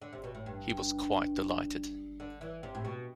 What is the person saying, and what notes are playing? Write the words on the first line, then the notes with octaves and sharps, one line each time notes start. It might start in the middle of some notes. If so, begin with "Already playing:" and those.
He was quite delighted.
D3
C3
B2
A2
G2
D3
E3
C3
A2
B2